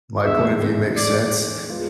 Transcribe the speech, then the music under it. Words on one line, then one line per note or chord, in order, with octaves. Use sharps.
my point of view makes sense?”
E2 D3 G#3 E5
D5
G#3 B3 F4